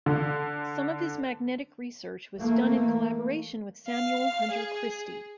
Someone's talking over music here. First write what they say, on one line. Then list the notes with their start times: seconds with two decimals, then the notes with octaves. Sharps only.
Some of his magnetic research was done in collaboration with Samuel Hunter Christie.
0.06 D3
2.37 E3 A3 A#3
3.87 F5
4.51 G#4